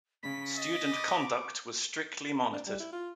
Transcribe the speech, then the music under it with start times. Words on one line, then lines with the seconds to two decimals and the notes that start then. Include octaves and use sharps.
Student conduct was strictly monitored.
0.23 C#3 B6
0.57 D#5 A6
0.92 B5 C#6 D6
2.53 D4
2.67 G3
2.80 E4
2.93 F4